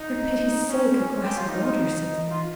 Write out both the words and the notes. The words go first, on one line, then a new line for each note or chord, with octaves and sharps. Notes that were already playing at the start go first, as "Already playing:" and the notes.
"For pity's sake, a glass of water," said the man.
Already playing: D#4
C#4
G4
F4
D#4
F4